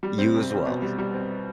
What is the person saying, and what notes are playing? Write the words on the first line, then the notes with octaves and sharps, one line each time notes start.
You as well.
G3
C4
C2
C4
B2
G3
G3
C4